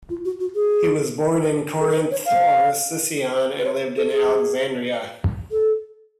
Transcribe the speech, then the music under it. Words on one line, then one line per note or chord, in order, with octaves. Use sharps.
He was born in Corinth or Sicyon, and lived in Alexandria.
F4
F#4
F#4
G#4
A4
B4
C#5
F5
B4
C#5
A4
G#4
A4